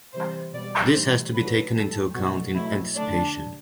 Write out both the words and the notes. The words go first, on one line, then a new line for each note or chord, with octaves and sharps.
This has to be taken into account in anticipation.
C3 E3 G3 C5
B2 G3 D5
A2 E3 G3 C5
D3 F#3 A3 B4
A2 G3 A4
B2 F#3 A3 F#4
B2 F#3 A3 E4
D3 A3 D4